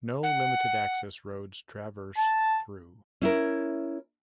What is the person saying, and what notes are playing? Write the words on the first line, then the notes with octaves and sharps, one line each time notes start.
No limited access roads traverse through.
F#5
A5
C#4 E4 A#4